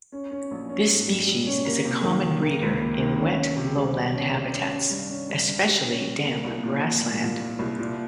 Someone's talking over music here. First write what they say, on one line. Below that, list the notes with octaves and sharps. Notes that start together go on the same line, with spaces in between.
This species is a common breeder in wet lowland habitats, especially damp grassland.
C#4
C#4
A#1
C#4
G#2
G3
G3
C#4
A#3
C3
D#3
D#3
A#3
C#2
A#3
D#3
C#4
C#4
C3
G3
G3
C#4
C3
C#4
C#4
G2
C#4
G2
G2
G3
C#4
G3
A#3
C2
A#2
F3
A#2
A#2
A#2
C2
A#2